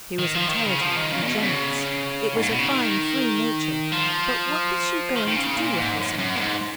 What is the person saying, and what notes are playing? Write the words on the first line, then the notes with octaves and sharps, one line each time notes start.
She was intelligent and generous; it was a fine free nature; but what was she going to do with herself?
D#3
F3
D#3
C#3
F3
D#3
C#3
A#2
B2
C#3
G#2
A#2
B2
C#3
D#3
F3
D#3
D#3
C#3
A#2
G#2
F#2
F#2
A#2
G#2